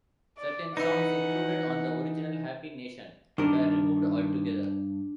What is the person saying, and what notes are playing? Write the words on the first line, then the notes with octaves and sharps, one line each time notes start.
Certain songs included on the original "Happy Nation" were removed altogether.
D5
E3 B3 D#4 E4 F#5
G2 D#3 D4 A#4